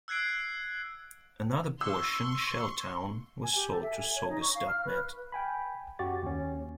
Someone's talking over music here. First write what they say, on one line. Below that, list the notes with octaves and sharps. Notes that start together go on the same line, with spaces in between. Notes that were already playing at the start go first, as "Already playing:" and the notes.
Another portion, ShellTown, was sold to Saugus dot net.
E6 F#6 G#6 C7 D7
C6 C#6 E6
G#5
G4
A4
E5
G#5
C#5
D#4
C#6
F5
F6
B4
G5 G#5 B5
F#2 F#3 F#4 G4 A6
D#2 C#4